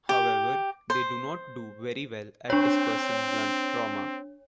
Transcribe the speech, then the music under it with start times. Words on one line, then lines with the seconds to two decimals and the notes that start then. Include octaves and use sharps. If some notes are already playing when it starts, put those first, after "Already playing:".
However, they do not do very well at dispersing blunt trauma.
0.09 G4
0.90 C5
2.50 C4 D4 C#5